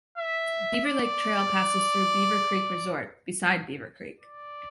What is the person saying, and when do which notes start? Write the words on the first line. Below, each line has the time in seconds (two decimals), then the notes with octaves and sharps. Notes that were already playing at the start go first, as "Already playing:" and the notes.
Beaver Lake Trail passes through Beaver Creek Resort, beside Beaver Creek.
0.18 E5
0.85 D5
4.21 D5